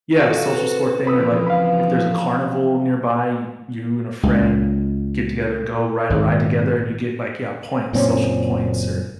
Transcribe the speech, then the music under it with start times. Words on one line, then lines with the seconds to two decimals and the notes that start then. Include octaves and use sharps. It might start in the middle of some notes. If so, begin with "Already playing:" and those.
Yeah, social score thing or, like, if there's a carnival nearby, you you and a friend n get together and go ride a ride together and you get, like, yeah, points, social points or
0.13 F4 F#4 A4
0.53 C4 B4
1.07 C#3 E3 F3 B5 D#6 E6
1.47 F5 B5
4.23 C#2
6.10 G#1
7.93 F#1 A#2 C4 C#4